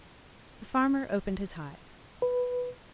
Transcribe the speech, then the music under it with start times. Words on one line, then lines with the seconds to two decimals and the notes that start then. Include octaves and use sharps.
The farmer opened his hive.
2.22 B4